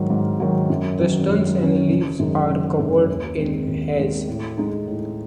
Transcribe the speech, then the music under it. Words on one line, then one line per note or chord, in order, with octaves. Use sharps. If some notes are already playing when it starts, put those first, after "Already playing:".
The stems and leaves are covered in hairs.
Already playing: G#2 D#3 F#3
G#2
D#3 F#3
F#2
D#3 F#3 C#4
F#2
D#3 F#3 C#4
F#1
F#2 D#3 G#3 D#4
F#1
F#2 D#3 G#3 D#4
D#2
D#3 G#3 C4
D#2
D#3 G#3 C4
A2
G#3 D#4
A2